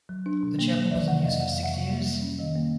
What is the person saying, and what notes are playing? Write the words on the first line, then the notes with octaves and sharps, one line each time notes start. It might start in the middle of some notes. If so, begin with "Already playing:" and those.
The chapel was unused for six years.
F#3
D4
B2
A#3
F#3
E3 D5 E5
C3 E5 F#5
F2 D#5 F5
F2 F#5
F5
E3
E5 F#5
C3
A#3
G3
C#4
D#3 D#5 F5
A#3